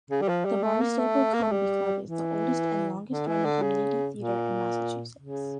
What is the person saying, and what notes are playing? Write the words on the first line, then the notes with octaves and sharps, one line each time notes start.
The Barnstable Comedy Club is the oldest and longest-running community theater in Massachusetts.
C#3
G3
F3
G3
A3
A#3
A3
A#3
A3
G3
E3
D3
E3
D3
C#3
A#2
C#3